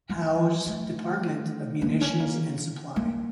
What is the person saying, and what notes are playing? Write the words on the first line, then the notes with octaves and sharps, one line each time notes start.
Howe's Department of Munitions and Supply.
F3
A3
A#3
C#4
A#3
A#3